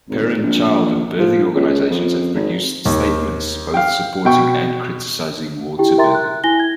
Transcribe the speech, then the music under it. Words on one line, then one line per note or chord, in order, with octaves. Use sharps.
Parent, child, and birthing organizations have produced statements both supporting and criticizing water birthing.
G#1
A#1
F3
C#2
F2
G#1
D#2
F5 G5
B2 G5 C#6
E4 G4 G5
A#4 E5 G5 A#5 C6 A6
F#6
E4 G#5 A#6 G7
G#6